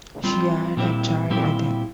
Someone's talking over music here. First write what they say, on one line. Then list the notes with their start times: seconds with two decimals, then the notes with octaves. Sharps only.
She had a child with him.
0.24 G3 C4 F4
0.77 A#2 G3 C4 E4 G4
1.30 A#2 G3 C4 E4 G4